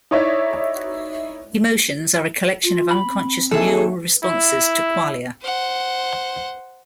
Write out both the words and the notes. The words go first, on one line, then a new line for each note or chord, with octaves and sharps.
Emotions are a collection of unconscious neural responses to qualia.
D#4 E4 C#5 D5 E5
F4
B5
C4
D#2 G#4 A4 E5
E4
C5 F#5